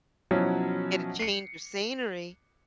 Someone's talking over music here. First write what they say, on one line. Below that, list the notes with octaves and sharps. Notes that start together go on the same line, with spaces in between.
get a change of scenery,
B2 F3 F#3 C#4 E4
C7 C#7